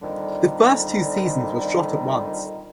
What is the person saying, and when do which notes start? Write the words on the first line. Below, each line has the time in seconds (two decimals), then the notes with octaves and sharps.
The first two seasons were shot at once.
0.02 F2 A#2 D3 D#3 G3